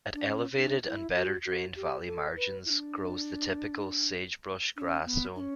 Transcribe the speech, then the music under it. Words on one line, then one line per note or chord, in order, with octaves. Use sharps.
At elevated and better-drained valley margins grows the typical sagebrush-grass zone.
D4
C#4
D4
E4
F#4
F#4
G4
A4
B4
E4
D4
D4
C#4
B3
D4
C#4